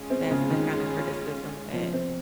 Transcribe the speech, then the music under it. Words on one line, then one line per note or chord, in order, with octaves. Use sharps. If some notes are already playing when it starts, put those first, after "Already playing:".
That's the kind of criticism that
Already playing: G#3 C#4 F4
C4
C#3
D#3
F3
C4